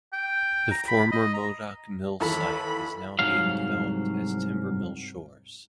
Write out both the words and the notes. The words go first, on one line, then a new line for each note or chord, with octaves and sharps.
The former Modoc mill site is now being developed as Timbermill Shores.
G5
A#5
B5
D#5
A#5
D#2 E3 A4 B5
C2 G#2 F#3 F5